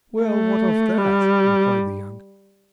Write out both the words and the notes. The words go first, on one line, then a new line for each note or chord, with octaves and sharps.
"Well, what of that?" replied the younger.
A3
G3